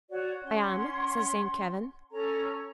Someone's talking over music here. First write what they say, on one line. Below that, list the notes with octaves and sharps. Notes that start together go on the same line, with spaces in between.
"I am," says Saint Kavin.
F#4 C#5 D5
C#4 F#5 C6
C#4 A4 A#5